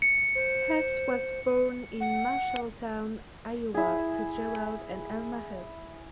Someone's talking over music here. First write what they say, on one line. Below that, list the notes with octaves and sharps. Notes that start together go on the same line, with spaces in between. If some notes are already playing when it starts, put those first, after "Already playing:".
Huss was born in Marshalltown, Iowa, to Gerald and Elma Huss.
C#7
C5
F#5
E4 G#4